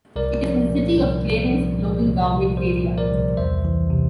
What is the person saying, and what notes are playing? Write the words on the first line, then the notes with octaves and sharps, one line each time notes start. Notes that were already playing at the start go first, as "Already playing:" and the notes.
It is in the City of Clarence local government area.
C2 A#4 D5
F3
A#2
C2
C2
F3
A#2
C2
C2
F3 C5
A#2
A#4 D5
C2
E2 C5 E5
E3
C3